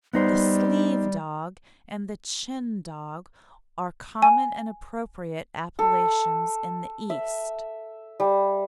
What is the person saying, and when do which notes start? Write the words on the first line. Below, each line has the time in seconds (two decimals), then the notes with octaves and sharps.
The "sleeve dog" and the "chin dog" are common and appropriate appellations in the East.
0.13 G3 B3 D#4 C5
4.22 G#5
5.79 A4
7.10 E5
8.20 G3